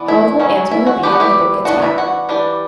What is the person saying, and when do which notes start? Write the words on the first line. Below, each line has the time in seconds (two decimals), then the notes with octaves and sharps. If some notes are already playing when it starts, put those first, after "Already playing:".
How old will Ann's mother be when the book gets back?
Already playing: E3 B3 D4
0.08 E4
0.40 F#3 C#4
0.71 E4
0.86 F#4
1.03 E3 B3 D4 G4
1.12 F#4
1.20 E4 G4
1.65 E3 B3 D4 F#4
1.82 E4
1.98 F#4
2.29 E3 G3 D4